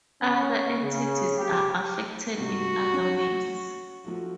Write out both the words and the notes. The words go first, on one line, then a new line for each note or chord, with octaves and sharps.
Other entities are affected in other ways.
C#4
C#3
G4
G2 C3 F#4
C#4
F3 A3 F#4